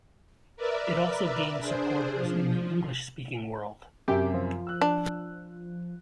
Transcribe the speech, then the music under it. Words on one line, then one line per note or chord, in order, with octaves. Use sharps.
It also gained supporters in the English-speaking world.
A#4 B4 D5 E5
D4 G#4 C5
F3
F#2 C3 G4 E5
F3
E6 F#6
D4